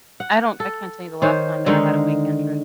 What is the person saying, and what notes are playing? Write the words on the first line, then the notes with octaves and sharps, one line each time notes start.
I don't I can't tell you the last time that I had a weekend trip.
F#5
A4
D#3 C5 C#5
D3 D#3 G#3 D#4